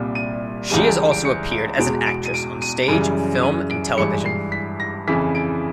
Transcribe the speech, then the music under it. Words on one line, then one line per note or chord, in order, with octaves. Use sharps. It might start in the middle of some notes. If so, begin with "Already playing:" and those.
She has also appeared as an actress on stage, film and television.
Already playing: C2 A#2 G3
D#7
C#2 C#3 E3 G3 D#7
D7
D7
C#7
D7
E2 B2 G#3 D7
D7
D#7
D7
D#7
D7
F#2 C#3 E3 G3 D#7
D#7
D7
G2 E3 G#3 C#7
C7
B6
A#6
F2 C#3 E3 B6
D7